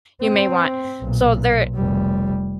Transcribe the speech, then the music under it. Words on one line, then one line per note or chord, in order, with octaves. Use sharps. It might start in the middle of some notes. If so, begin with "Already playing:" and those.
you may want. So there
C4
B1 A#2
F1 G3